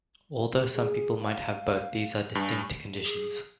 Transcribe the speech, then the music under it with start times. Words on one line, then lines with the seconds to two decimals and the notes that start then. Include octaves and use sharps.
Although some people might have both, these are distinct conditions.
0.73 G#4
1.21 F5
2.35 G2 G#5
3.05 G#4